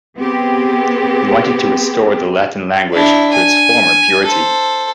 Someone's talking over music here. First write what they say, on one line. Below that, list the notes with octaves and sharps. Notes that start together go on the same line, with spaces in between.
He wanted to restore the Latin language to its former purity.
B3 C4 G4 G#4
D4 E4
G#5
A4 C5